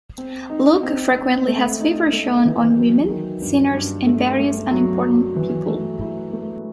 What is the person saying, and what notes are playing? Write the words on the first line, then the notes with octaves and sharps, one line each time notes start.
Luke frequently has favor shown on women, sinners, and various "unimportant" people.
C4
D#4
C4
C4
A3
D#4
A3
E3
F#3
D#3
G2
G2
A3
A3
F#3
F#3
E3
A3
E4
A3